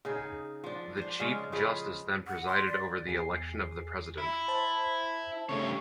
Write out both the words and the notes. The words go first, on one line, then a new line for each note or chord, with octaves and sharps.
The Chief Justice then presided over the election of the President.
C#3 D#4 G#4
F3 D4
D4 C5
C#3 G#3 C#4 D4
C#3 F3 G#4 B4
F#5
C6
D5
E2 G#4 C7
E4
C5 A5
G2 C#3 A3 C#4 C#5